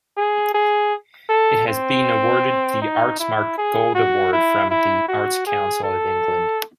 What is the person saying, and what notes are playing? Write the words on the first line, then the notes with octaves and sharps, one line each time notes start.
It has been awarded the Artsmark Gold Award from the Arts Council of England.
G#4
G#4
A4
C4
D#4
E4
G#4
F#4
E4
E4
F#4
G#4
A4